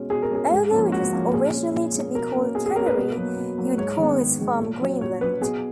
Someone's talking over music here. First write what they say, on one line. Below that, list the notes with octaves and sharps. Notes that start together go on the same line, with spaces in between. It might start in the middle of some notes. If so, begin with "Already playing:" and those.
Although it was originally to be called Canary, he would call his farm "Greenland".
Already playing: B2 G#3 C#4
B2 G#4
A#4
G#3 C#4 G#4
G#2
F3 A#3 C#4
G#2 F#4
F3 A#3 C#4
A#2 G#4
G#3 C#4
A#2
G#3 C#4
B2 A#4
A#3 C#4
B2 G#4
G#4
A#3 C#4 A#4
B4
B2
F#3 A#3
B2
F#3 A#3
G#2 C#5
D#3 G#3 B3
G#2
D#3 G#3 B3
A#2
F#3 C#4
A#2 C#5
F#3 C#4 B4
B2 G#4